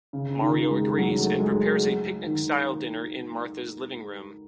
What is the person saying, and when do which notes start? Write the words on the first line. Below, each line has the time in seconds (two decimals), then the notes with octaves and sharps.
Mario agrees, and prepares a picnic-style dinner in Martha's living room.
0.13 C#3
0.41 D#3
0.70 G#3
0.98 F#3
1.19 A3
1.40 G#3
2.25 D#3